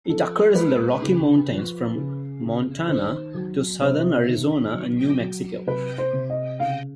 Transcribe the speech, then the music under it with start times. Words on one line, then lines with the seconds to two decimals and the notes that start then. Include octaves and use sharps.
It occurs in the Rocky Mountains from Montana to southern Arizona and New Mexico.
0.09 F3 A4
0.55 G#3 B4
1.02 C#3
1.48 F3
1.95 C#3
2.41 C#3
2.88 D#3 C5
3.34 F#3
3.81 C3 C5
4.27 D#3
4.74 F#3
5.20 F#3
5.67 C3 B4
5.98 C5
6.13 C3
6.30 D#5
6.60 C#3 F5